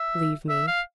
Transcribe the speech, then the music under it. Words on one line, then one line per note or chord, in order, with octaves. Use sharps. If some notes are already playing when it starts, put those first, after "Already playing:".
"Leave me."
Already playing: E5
E5
F5